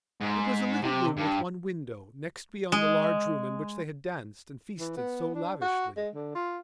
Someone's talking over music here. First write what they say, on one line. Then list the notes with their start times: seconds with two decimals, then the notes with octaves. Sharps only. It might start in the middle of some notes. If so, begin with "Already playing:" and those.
It was a little room with one window, next beyond the large room in which they had danced and feasted so lavishly.
0.21 G#2
0.83 C3
1.17 G2
2.72 G#3
4.80 E3
4.97 B3
5.35 D4
5.62 F#4
5.97 G#3
6.15 D3
6.35 F4